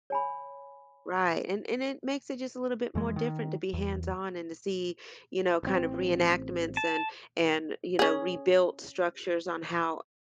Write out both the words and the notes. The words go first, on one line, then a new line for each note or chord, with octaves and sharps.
Right, and and it makes it just a little bit more different to be hands on and to see, you know, kinda reenactments and and, you know, rebuilt structures on how
C#5 G#5 B5
F2 E3 G#3
D#3
E2
A1 C4
A5
C#4 G#4